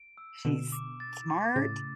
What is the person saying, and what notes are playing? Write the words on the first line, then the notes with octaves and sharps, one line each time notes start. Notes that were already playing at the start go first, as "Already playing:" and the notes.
she's smart,
Already playing: D7
E6
B2 D3 E7
D6
A6
D6
A2 C#3 A6